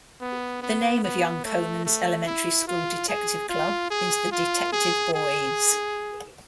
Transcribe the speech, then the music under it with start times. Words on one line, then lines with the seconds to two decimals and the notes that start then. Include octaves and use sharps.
The name of young Conan's elementary school detective club is the "Detective Boys".
0.20 B3
0.62 B3
1.03 B3
1.44 A3
1.85 A3
2.26 E4
2.67 F4
3.08 G#4
3.49 F4
3.90 G#4
4.31 F4
4.72 G#4
5.13 G#4